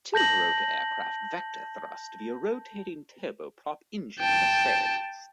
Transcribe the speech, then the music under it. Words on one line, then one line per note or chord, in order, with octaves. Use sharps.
Tiltrotor aircraft vector thrust via rotating turboprop engine nacelles.
A5 G6 A#6 F#7
G5 A5